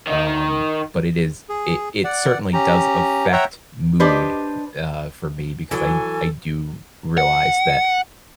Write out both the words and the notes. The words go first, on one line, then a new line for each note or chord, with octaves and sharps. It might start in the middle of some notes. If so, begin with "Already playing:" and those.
Um, but it is it it certainly does affect mood, uh, for me because I I do realize that,
D#3 D#4
G#4
D5 F#5
C#4 G4 A#5
C#5 E5 F#5 G5 A#5
D4 G4 B4 C5 D#5
E3 F#3 A4 G#5
F#5